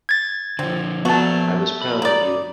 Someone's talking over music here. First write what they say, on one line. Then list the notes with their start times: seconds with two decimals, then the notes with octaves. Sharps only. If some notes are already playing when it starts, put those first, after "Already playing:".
I was proud of you.
0.09 G#6 A6
0.59 D3 F3 C4
1.05 F3 A3 B3 F#4 A5 A#5
1.82 B5
2.02 D#4 D5